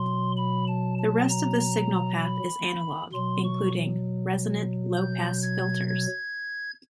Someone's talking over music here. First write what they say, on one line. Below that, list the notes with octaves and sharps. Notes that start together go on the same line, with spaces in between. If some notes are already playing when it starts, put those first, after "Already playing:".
The rest of the signal path is analog, including resonant low-pass filters.
Already playing: B2 F#3 C6
B5
A5
A5
A#5
B5
B2 F#3 C6
C#6
G6
G#6
G#6